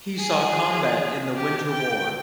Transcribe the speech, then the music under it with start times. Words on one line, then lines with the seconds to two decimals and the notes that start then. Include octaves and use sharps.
He saw combat in the Winter War.
0.19 G#4
1.35 G4
1.71 G5